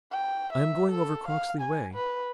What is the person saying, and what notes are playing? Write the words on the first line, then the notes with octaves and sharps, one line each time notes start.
"I am going over Croxley way."
G5
E5
A4
F5
G#5
B4